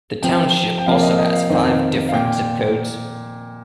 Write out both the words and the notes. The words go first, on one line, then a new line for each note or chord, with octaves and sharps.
The township also has five different zip codes.
C3 F3 C4 G5
G5
C3 F3 A#3 F5
F5
D#5
D#5
F5
F2 D#3 C4
F5
A#2 G5